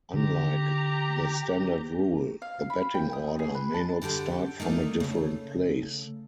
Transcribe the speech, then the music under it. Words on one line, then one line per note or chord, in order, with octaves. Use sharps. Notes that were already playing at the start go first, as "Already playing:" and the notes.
Unlike the standard rule, the batting order may not start from a different place.
D3 G4 A#5
F5
B5
G5
D#6
G#4
B4
A5
D3 E4 G4 A4 F#5
A3 A#3 D4 D#4
C#3 A3